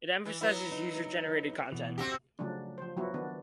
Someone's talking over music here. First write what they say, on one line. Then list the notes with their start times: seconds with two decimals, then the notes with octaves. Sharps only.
It emphasizes user-generated content.
0.26 E3
0.41 F#3 B3 E4
0.72 D#4
1.72 B2 E3
1.98 C4 F#4 G4
2.39 C#3 F3 F#3 A3 D4
2.78 F3 C5
2.97 F3 F#3 B3 E4 F#4
3.14 D#3 B3 D4